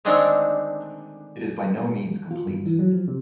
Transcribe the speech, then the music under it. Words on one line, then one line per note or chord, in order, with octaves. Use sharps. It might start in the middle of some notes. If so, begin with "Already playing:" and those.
It is by no means complete.
D3 D#3 G#3 A3 C4 D4
F4
G2
E3
F#3
F3
C3